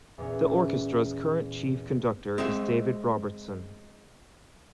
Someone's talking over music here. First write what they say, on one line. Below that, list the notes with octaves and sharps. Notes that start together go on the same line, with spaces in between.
The orchestra's current chief conductor is David Robertson.
E2 A#2 C#4
G#3 C4 E5